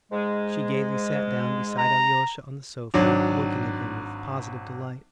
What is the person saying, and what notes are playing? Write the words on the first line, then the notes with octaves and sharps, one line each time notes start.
She gayly sat down beside Alyosha on the sofa, looking at him with positive delight.
G#2 G#3
A#5
G#1 F#3 D4